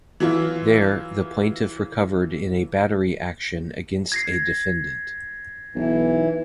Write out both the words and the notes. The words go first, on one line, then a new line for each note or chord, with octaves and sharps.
There, the plaintiff recovered in a battery action against a defendant.
E3 F#3 E4 F4
G#6 A#6 C7
B1 E3